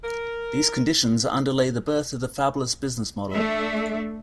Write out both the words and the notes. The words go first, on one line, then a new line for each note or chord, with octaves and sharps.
These conditions underlay the birth of the fabless business model.
A#4
A3 D4 E5